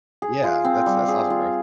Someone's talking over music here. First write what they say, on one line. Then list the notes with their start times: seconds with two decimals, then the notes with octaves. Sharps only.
Yeah, that's that's awesome, bro.
0.22 G#4
0.44 F4
0.65 C4
0.86 G3
1.08 G#4
1.30 F4